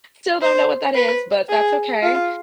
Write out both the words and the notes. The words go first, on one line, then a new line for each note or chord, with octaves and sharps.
still don't know what that is, but that's okay.
C5
B4
G#4
F4